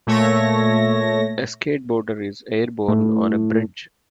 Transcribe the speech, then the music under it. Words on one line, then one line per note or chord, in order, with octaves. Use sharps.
A skateboarder is airborne on a bridge.
A#2 A3 C#5 E5 A#6
A2